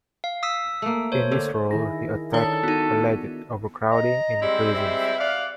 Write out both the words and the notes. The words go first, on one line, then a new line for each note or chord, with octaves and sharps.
In this role, he attacked alleged overcrowding in prisons.
F5
D#6 E6 B6
A3 A#3
C5 C#5
D3
D#3 E4 G#4 A#6
D#3 D4 D#4 A4 C#5 G7
B3 D#4 F#4
D#5 A#5
G3 G#3 C4 E4
E5
D5 F5 F#5